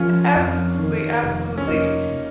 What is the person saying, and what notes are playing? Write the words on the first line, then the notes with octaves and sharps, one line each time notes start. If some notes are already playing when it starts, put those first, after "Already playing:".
Absolutely. Absolutely.
Already playing: F3 C#4 F4 G#4 A#4 C#5
F2
D#3
F1
C#4
F1 A#3 D#4